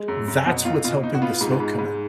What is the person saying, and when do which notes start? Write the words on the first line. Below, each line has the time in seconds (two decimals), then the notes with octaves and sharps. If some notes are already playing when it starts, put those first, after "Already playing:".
that's what's helping the smoke come in.
Already playing: G#3
0.08 F#2
0.28 F#2
0.46 B2 F#4
0.65 B2 F4
0.84 B2 F4
1.03 B2 D#4
1.15 F#4
1.22 B3 F4
1.41 G#2
1.60 G#2
1.79 G#2